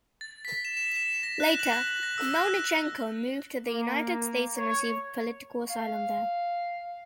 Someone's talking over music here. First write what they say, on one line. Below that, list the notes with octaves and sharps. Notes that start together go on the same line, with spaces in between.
Later, Melnychenko moved to the United States and received political asylum there.
A6
B6
E7
E7
E7
A#6
F#6
F#7
A#6
A#6
E6
F#6
A#3
C#5
F5